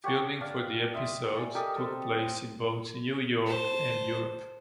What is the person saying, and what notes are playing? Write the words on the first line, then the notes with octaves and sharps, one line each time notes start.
Filming for the episode took place in both New York and Europe.
G4 C#5 F#5 A5
D4 F5
D#5 E5 C6
D5 G#5
G4 A4 A#4 D#5
C4 A4
C5 A5